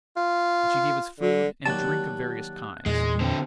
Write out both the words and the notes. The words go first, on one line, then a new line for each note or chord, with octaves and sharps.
And she gave us food and drink of various kinds.
F4
D3
D#2 F#3 G3 F#5 A5
E2 A#2 G#3 D#4
D3 C4